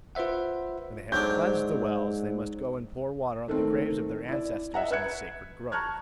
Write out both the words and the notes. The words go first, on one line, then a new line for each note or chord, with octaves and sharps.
When they have cleansed the wells, they must go and pour water on the graves of their ancestors in the sacred grove.
F4 B4 C5 E5 F#5
G#2 F#3 C4 D4 G6
D#3 A3 A#3 C4
E4 D5
D#5 E5 F#5 A#5
B4 E5 F#6 G#6 C#7
A5 A#5 C#6 F6 F#6 G#6